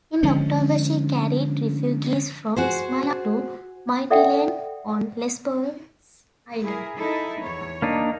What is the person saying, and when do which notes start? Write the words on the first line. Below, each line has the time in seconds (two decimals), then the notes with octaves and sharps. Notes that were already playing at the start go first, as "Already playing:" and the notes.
In October she carried refugees from Smyrna to Mytilene on Lesbos Island.
0.23 D3 F3 G#3 C#4
2.56 F#4 G#4 C5
4.10 A4 D5 E5 F#5 G5 C6
6.62 E4 G#4 A#4
6.97 D#4 E4 A4
7.41 E2 C#5
7.82 A#3 D4 D#4